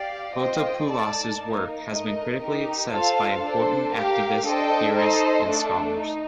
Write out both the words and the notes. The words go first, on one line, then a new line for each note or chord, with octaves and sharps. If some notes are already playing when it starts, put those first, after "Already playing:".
Fotopoulos' work has been critically assessed by important activists, theorists and scholars.
Already playing: G4 D5 F5
F4 C5 D#5 G5
A3 D#4 A4 D5 A5
A#3 D#4 A#4
A3 D#4 A#4 D#5
D#4 G4 A#4
F4 A4 C5 F5 A5
D4 A4 C5
G4 A#4 F5
D4 A4 C5 D#5 G5
D#4 A4 C5 D#5
A3 D4 A4
D#4